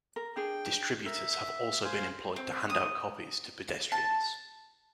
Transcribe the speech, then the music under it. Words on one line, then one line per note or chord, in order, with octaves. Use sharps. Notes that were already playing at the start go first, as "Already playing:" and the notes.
Distributors have also been employed to hand out copies to pedestrians.
A#4
D4 G#4 G5
A#4 E5
C5 F5 G#5
C4
D#6
A5